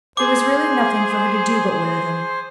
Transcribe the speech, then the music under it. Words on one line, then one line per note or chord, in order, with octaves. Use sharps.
There was really nothing for her to do but wear them.
G#4 C5 D6